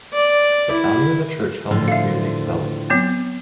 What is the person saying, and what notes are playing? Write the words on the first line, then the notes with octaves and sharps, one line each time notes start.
The founding of the church helped the community develop.
D5
E4
A2 D3 F3
E5 F5
F#3 B3 C4